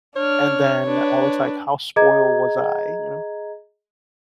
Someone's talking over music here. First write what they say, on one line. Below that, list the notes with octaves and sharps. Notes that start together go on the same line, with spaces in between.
and then I was, like, "How spoiled was I," you know.
D4 C#5 F6
D4 B4
G#4 D#5 A#5 G#6